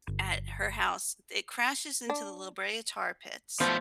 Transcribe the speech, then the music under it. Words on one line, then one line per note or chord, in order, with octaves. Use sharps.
at her house. It crashes into the La Brea Tar Pits,
G1
D4
B2 F3 A3